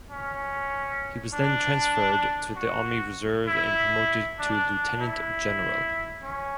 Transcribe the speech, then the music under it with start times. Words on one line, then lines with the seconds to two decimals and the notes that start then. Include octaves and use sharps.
He was then transferred to the Army reserve and promoted to Lieutenant General.
0.11 C#4
1.34 D4
2.56 F#4
3.47 E4
4.39 D4
5.01 E4
6.23 C#4